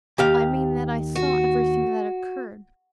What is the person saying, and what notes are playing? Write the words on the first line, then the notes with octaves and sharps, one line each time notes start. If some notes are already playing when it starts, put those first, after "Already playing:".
"I mean that I saw everything that occurred."
D#2 G4 F5
F#4